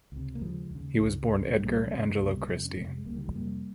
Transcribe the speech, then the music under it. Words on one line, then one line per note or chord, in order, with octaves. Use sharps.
He was born Edgar Angelo Christy.
C#2 C3
A#3
D#2 C#3 F3 G#3
D#2 C#3
C#2 C#3
C#2 C#3
G#3
C2 A#2 G3 A#3
D#2 C#3
G#3
C#2 C3 G3 A#3
F2 C3
C#4
F2 C3 G#3 C4
G#3
C#2 C#3 G3 A#3
D#3 G3
F3 G#3
F2 C3 G3 A#3